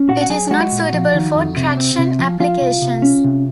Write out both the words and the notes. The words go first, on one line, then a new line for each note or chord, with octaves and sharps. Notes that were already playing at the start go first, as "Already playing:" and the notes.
It is not suitable for traction applications.
Already playing: C#4
A#2 F#4 F#5
F#5
F#3 G#4 G#5
G#3 F#4 F#5
A#2
F3
D#3
F2
C3
C4
C3
F3
F3 F4 F5
C2
C3
C#4
C3